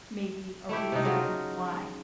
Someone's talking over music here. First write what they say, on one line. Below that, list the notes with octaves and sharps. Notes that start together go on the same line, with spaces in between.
maybe a reason why,
A3 E4 G4
C3 D#4
C#3 F#3 F4